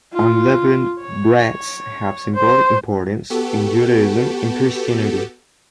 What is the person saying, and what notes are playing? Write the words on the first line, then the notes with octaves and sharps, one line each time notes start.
Unleavened breads have symbolic importance in Judaism and Christianity.
F4
C#5
C5
B3 F#4 G4 A4